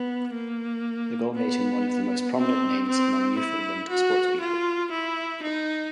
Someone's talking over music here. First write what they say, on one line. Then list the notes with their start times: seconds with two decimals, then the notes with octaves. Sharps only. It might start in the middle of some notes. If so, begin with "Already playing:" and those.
The goal made him one of the most prominent names among Newfoundland sportspeople.
Already playing: B3
0.34 A#3
1.35 B3
2.37 C4
2.88 C4
3.38 E4
3.90 F#4
4.40 F4
4.91 E4
5.42 D#4